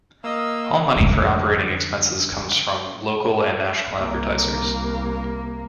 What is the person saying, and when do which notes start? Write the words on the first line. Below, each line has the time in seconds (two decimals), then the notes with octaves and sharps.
All money for operating expenses comes from local and national advertisers.
0.24 A#3 D#5 F5 E6
0.96 F2 D3
3.99 C2 A#3